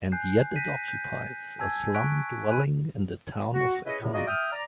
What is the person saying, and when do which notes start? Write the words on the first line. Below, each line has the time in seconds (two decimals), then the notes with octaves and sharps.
And yet it occupies a slum dwelling in the town of economics.
0.12 G#5 F#6 G6 C7
0.56 F#6 G6 A#6 B6 D#7
0.88 G6
1.59 G#5 A5 E6 G#6
1.95 C#6 F#6 B6 D7
2.48 G#5 B5 F#6 D#7
3.54 F#4
3.85 C#4 E4 G#4 B4 C#5 D#5
4.01 E2 A2 C3
4.13 D#4 F4 F#4 G#4 D5 D#5
4.27 E5 G5 D#6 F6
4.52 D5 A#5